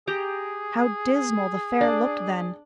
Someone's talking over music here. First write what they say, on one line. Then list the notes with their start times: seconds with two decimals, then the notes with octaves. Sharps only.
How dismal the fair looked then!
0.07 G4 G#4 A#5
1.81 D4 D5